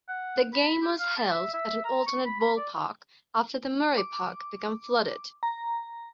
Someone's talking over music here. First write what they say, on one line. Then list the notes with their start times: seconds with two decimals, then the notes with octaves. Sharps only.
The game was held at an alternate ballpark after the Murray park became flooded.
0.08 F#5
0.53 B5
0.82 G4
0.99 F5
1.17 A5
1.31 E5
1.54 E5
1.85 A#5
2.06 C#6
2.25 B5
2.40 B5
2.57 D5
3.98 D6
5.43 A#5